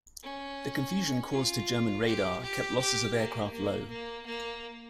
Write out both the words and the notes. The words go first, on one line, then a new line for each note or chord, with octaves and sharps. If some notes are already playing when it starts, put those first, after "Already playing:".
The confusion caused to German radar kept losses of aircraft low.
C#4
F4
G4
G4
G4
A#3
A#3
A#3
A#3